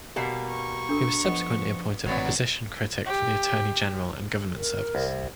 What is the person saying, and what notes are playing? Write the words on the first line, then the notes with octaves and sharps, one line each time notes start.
He was subsequently appointed opposition critic for the Attorney General and Government Service.
B2 G3 A#3 G4 G5
C#6
D4 A4 E6
F3 B3 D#5
A1 F#3 B3 C4 C#5 D5
G4
A#4
C2